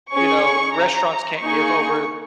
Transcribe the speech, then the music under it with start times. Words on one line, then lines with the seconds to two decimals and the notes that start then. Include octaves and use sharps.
you know, "Restaurants can't give over th
0.12 C#4 G#4 C#6
0.76 A#5
1.41 A#3 D#4 G#4 C#6